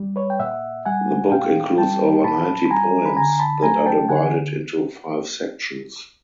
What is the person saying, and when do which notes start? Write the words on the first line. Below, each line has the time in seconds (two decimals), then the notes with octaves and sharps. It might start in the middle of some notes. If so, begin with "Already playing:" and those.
The book includes over ninety poems that are divided into five sections.
Already playing: G3
0.16 B4 C#5
0.30 G5
0.40 A#2 E5 F#5
0.85 G3 F#5 G#5
1.32 A#2 F5 G5
1.78 G3 G5 A5
2.24 A#2 A5 B5
2.65 B5
2.71 G3 G#5 A#5
3.05 B5
3.16 D3 G#5 A#5
3.40 A5 B5
3.63 F#3 A3 G#5 A#5
3.86 G5 A5
4.09 D3 F#5 G#5